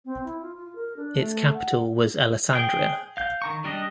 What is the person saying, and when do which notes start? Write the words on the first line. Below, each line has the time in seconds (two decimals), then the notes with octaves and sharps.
Its capital was Alessandria.
0.05 C4
0.24 E4
0.41 F4
0.57 F4
0.75 A#4
0.96 D4
1.17 A3
1.54 F#5
2.53 G#4 G5
3.17 F5 G6
3.42 D#3 A#5 C#6
3.64 G3 D4 G4 D#5